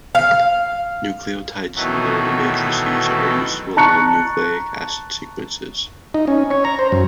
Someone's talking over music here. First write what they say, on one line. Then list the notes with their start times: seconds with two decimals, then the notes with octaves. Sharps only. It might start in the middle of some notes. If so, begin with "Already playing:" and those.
Nucleotide similarity matrices are used to align nucleic acid sequences.
0.15 F5
1.75 B2 D#3 E3 F#3 A3 B3
3.77 A5 A#5 C#6 F#6 C#7
6.14 D#4
6.27 C#4
6.50 C#5
6.65 A#5
6.79 C5
6.92 F#2